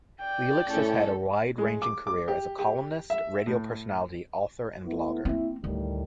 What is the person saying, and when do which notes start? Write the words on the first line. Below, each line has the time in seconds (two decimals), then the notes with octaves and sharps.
Lileks has had a wide-ranging career as a columnist, radio personality, author, and blogger.
0.21 D5 G5
0.68 A2 C#4 A4
1.58 G#3
1.82 D6
2.07 D6
2.28 G4
2.59 G4
3.10 E5
3.47 A2
4.85 A3 B3 E4
5.25 A#3 C4 E4
5.64 D2 A2 D#3 G3